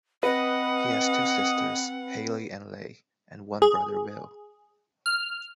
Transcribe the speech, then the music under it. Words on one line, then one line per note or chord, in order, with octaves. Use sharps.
He has two sisters, Hailey and Leigh, and one brother, Will.
C4 B4 D#5 F#5
G#4
F6